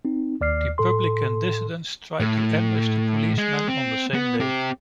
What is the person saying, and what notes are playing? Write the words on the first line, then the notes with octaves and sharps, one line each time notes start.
Republican dissidents tried to ambush policemen on the same day.
C4 D#4
D#2 D5 F6 C7
A2 A4 C6
A2
G#3
C4
B3
C4 G4